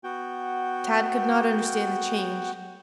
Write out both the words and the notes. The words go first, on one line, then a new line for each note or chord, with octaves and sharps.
Tad could not understand the change.
B3 F#4 G5